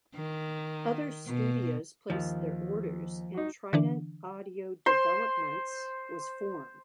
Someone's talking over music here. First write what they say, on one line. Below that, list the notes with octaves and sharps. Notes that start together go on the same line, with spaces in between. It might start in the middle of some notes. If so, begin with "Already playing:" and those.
Other studios placed their orders and Trident Audio Developments was formed.
D#3
B2
D#2 F3
D#4 F#4
D3 E3 D4
C5 C6